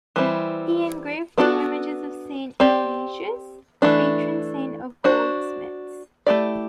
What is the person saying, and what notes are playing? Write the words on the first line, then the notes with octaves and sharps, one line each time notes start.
He engraved two images of Saint Eligius, the patron-saint of goldsmiths.
E3 G3 C4 E4
B3 D4 F#4 A4 D5
C4 G4 D5
E3 A3 D4
D4 F#4 C5
A3 E4 G4 D5